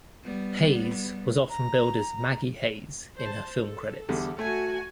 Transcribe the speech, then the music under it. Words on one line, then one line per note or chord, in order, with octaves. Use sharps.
Hayes was often billed as Maggie Hayes in her film credits.
G3 B3
A#5
C5 A5
A4
E2 D3 G3
A3 F#4 G#5